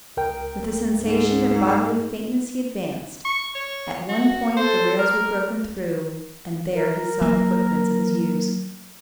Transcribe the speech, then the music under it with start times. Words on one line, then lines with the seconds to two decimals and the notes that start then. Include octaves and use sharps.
With a sensation of bodily faintness he advanced: at one point the rails were broken through, and there he saw the footprints of his ewes.
0.17 C#2 A#4 G5
0.99 G#2
3.25 C#6
3.55 C#5
4.09 F#4
4.57 A4 C5
4.98 A#4 F6
6.74 A#4
7.21 F#3 A#3